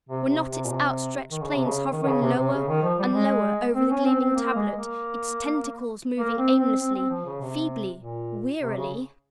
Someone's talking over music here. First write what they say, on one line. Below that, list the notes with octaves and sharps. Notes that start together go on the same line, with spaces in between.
Were not its outstretched planes hovering lower and lower over the gleaming tablet; its tentacles moving aimlessly, feebly--wearily?
C3
C3
C3
A#2
C3
D#3
C#3
C3
C#3
D#3
D#3
C#3
C3
C3
C#3
D#3
F3
G3
G#3
C4
C#4
C4
C4
A#3
G#3
A#3
A#3
C4
C4
C4
C4
F3
C#3
C3
A#2
C3
C#3